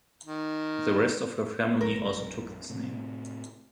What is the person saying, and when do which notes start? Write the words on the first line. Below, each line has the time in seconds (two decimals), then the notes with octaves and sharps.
The rest of her family also took this name.
0.25 D#3
1.81 A#1 F#2 A#4
2.70 A2 C3